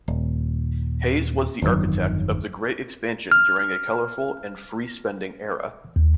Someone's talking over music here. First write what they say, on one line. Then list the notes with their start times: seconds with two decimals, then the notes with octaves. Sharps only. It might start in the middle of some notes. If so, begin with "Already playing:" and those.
Hays was the architect of the great expansion during a colourful and free-spending era.
0.08 D#1
1.62 G1 F2 D#3 F#3
3.32 F6
5.96 D#2